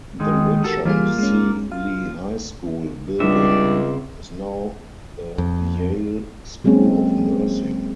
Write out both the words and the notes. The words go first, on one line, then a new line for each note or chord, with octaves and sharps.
The Richard C Lee High School building is now the Yale School of Nursing.
D#3 G#3 D#4
F#4 G4 A4 A#4
E3 G3 A#3 F4 G#4
G#3 C#4
F4 F5
C#2 C#3 G3 C4 D4 D5 E5
F2
F#3 G#3 A#3 C4 C#4 G#4